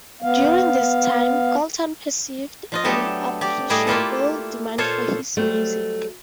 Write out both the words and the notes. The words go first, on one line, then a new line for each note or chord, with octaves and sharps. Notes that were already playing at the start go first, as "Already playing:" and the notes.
During this time, Colton perceived an appreciable demand for his music.
B3 F5
F3 F4 D#5
F#3 A3 B3 D4 G4 A4
G4 D5
A2 G3 A3 G#4 D5 D#5
A3 A#3 E4 F4 G4 A4
A#2 F4 A4 C5 C#5
F#3 G3 A3 C5